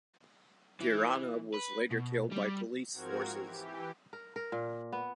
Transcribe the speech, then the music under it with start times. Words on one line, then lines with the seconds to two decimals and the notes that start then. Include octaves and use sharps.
Veeranna was later killed by police forces.
0.81 E3
1.54 B4
1.92 B2
2.32 G3
2.93 G#2 F3 C4 F#4 A#4 G#6
3.43 E3 G4
4.13 A#4
4.36 A#4
4.52 A#2
4.92 B3